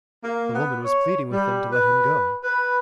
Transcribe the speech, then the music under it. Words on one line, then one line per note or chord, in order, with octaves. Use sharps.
The woman was pleading with them to let him go.
A#3
B3
C#5
G3
B4
B4